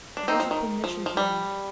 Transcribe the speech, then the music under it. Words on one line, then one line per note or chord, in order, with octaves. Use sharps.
It was a commission to me!
D4
C4 D#4
F3
D#3
F3
F3
G3